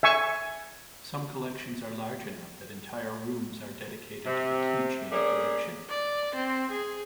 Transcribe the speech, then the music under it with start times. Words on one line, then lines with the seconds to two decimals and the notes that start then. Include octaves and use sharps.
Some collections are large enough that entire rooms are dedicated to the keychain collection.
0.03 E5 G#5 C#6
4.26 C3
5.11 A3 A#3 C#4 G#4 D5
5.90 D5
6.35 C4
6.71 G#4